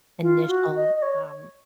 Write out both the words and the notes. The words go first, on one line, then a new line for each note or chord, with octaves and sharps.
initial, um,
F4
F#4
D#5
D#5
C#5